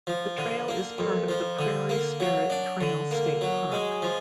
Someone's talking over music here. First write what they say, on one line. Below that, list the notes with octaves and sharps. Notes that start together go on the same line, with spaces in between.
The trail is part of the Prairie Spirit Trail State Park.
F3
D3
A#3
F2
F3
D3
A#3
F#3
D4
D3
A#3
F#3
G#3
F3